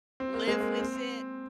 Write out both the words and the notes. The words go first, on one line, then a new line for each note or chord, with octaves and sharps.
live with it,
C4
A#3
G#3
A#3
C4